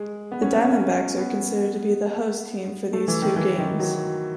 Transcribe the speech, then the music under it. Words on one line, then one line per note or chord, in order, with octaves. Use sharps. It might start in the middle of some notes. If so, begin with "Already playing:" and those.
The Diamondbacks are considered to be the host team for these two games.
Already playing: G#3
B3
C#4
B3
C#4
B3
A3
E3
D#3
E3
D#3
F#3